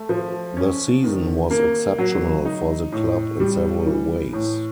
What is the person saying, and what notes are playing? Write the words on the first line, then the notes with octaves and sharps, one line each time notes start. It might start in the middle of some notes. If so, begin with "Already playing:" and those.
The season was exceptional for the club in several ways.
Already playing: A3
F3
C#4
D#3
A#3
F#3
D#4
A2
G3
E3
A2